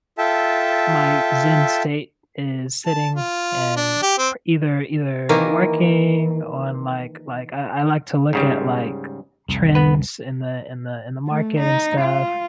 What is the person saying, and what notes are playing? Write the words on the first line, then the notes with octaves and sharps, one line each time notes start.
my Zen state is sitting, and p either either working on, like like, uh, I like to look at, like, trends in the in the in the market and stuff,
F4 A4 E5 G5 A5
A5
F4
D4
G4
C4
D#3 E3 A#3
G#2 C#3 G3
C2 F2
B3 B4
A3
D#4
F4